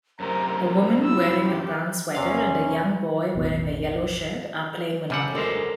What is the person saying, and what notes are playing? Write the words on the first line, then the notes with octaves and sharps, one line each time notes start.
A woman wearing a brown sweater and a young boy wearing a yellow shirt are playing monopoly.
F#2 C3 A#4 C5
E4 E6
G4
E2 C3 C#4 F5
E1 A1 B2
F#2 C#3 G3 F#5
D2 G#3 A4 A#4 C5 D5